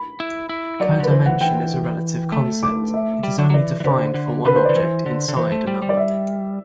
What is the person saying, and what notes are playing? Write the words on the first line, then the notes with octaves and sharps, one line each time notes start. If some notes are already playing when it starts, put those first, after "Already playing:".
Codimension is a "relative" concept: it is only defined for one object "inside" another.
Already playing: B5
E4
E4
F#3 D5
D3 B4
E3 C5
E3 F#5
E3 G5
A3
D6
E5
G3
F#3
F#3
E3 D5
E3
D3 C5
D3
D3 B4
C5
D5
D3
E3 C5
D3
D3
E3 C5
A3
G3
G3
D5
E5